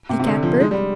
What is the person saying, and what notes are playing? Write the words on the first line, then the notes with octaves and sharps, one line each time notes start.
The Cat-bird.
C3
C3
D3
F3
G#3
G3